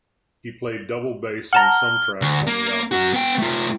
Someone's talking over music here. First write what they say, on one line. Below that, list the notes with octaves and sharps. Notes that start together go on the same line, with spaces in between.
He played double bass on some tracks on the album.
F#5 A5 A#5 F6
D2
A#3
F#2 F#4
B3 G5
A3 F4